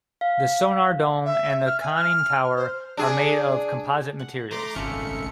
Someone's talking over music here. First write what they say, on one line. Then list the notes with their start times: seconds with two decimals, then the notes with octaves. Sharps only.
The sonar dome and the conning tower are made of composite materials.
0.21 F5
1.25 E5
1.66 F6
1.81 G#5
1.95 F6
2.56 C5
2.97 D4 G#4
4.19 F#5
4.51 A3 A#5 C6 D6
4.75 G#1 C#3 C#4 F4 A4 E5 C#7